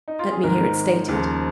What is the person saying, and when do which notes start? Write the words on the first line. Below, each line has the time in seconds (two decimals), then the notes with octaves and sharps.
Let me hear it stated.
0.08 D#4
0.19 F4
0.31 G#4
0.43 G#1 G#2 D#3 A#4
1.08 D#2 C#3 F3